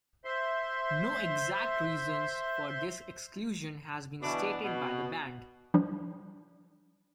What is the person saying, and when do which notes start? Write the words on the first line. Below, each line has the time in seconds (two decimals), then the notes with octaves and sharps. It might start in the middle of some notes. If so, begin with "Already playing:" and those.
No exact reasons for this exclusion has been stated by the band.
0.25 C5 E5 C6
4.22 B2 E3 D4
4.63 B2
5.74 F3 G3 D4